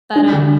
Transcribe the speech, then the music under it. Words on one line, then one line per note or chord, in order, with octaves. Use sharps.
But, um,
D4
D3